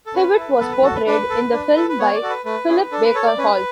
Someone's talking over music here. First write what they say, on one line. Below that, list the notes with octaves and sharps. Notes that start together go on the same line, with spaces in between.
Hewitt was portrayed in the film by Philip Baker Hall.
A4
C#4 B4
E4 A4
B3 A4
B4
F#4 A4
B4
D4 B4
A4
D4
A4
B4
B3 C#5
D5
F#4 A4
B4
A3 B4
C#4 E4 G#4
D4 A4
B4
A4 C#5
D5
C#4 B4